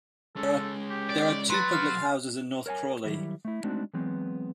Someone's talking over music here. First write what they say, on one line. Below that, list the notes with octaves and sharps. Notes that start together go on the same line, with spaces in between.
There are two public houses in North Crawley.
G#3 C#4 A4
G4
D5
F#3 B4 C6 A6
F5 F6
A#4 C#5 F#5 G#5
D#3 F#3 G3 E4
A3 E4
G#3 A3 C4 D4 D#4 F#4
E3 F#3 G#3 B3 C4